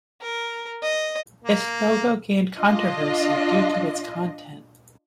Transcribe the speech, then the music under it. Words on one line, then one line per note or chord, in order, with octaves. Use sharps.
This logo gained controversy due to its content.
A#4
D#5
A#3
D4 F4 D#5